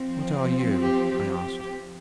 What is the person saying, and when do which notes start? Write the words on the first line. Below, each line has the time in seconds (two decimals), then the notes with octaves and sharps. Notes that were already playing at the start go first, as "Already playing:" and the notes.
"What are you?" I asked.
Already playing: F3 C4
0.81 G4
1.31 G4